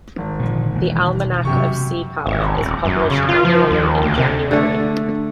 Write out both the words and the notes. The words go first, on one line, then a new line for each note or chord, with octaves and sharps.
The "Almanac of Seapower" is published annually in January.
G#1
A#2 D3 F3
E1 E3
F#2 C3 G4 C#6
G#1
D#1
F#2
C#3
F4
F3
D#2
D2
C3
D3 A3